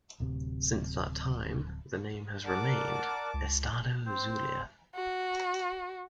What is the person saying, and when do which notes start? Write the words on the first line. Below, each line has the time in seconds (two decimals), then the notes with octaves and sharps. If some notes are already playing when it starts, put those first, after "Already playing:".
Since that time the name has remained "Estado Zulia".
0.20 D1 C3
2.45 A#4 D5 F#5 A5 D6
3.34 C#2
4.06 C4 C5
4.95 F#4